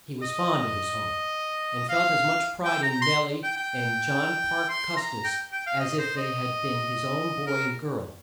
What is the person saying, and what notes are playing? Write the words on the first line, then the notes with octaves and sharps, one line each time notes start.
He was fond of his home, and felt as much pride in Nel-lie and John Parke Cus-tis as if they had been his own boy and girl.
D#5
F5
G5
A#5
C6
G5
G5
C6
A#5
G5
G5
F5
D#5
C5
D#5
A#4